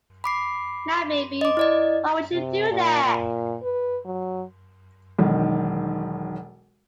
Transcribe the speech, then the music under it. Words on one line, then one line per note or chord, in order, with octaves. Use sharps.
Now, baby, why would you do that?
B5 D6 C7
D#5 D6
E4 D5 D#5
C3
A#2
A#2
B4
F#3
E1 B1 D#3